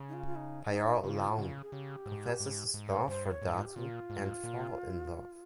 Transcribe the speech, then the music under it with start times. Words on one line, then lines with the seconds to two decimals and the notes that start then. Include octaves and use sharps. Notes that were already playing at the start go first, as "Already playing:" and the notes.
Pyar Laung confesses his love for Datu and fall in love.
Already playing: C#3
0.09 D#4
0.13 F4
0.27 F4
0.36 D#4
0.69 D#4
1.04 C#3 F4
1.38 C#3
1.62 G#4
1.72 C#3 G4
2.06 G#2
2.40 G#2
2.74 G#2
3.08 G2 C5
3.31 C#5
3.42 G#2
3.53 F4
3.65 G4
3.75 A#2 F4
4.10 G#2
4.44 A#2